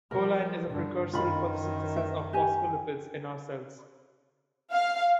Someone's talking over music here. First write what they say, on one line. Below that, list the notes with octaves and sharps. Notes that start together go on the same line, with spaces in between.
Choline is a precursor for the synthesis of phospholipids in our cells.
F3 A#4
G2 D3
F#2 D#3 F4 B5
E5
G4 G#5
F5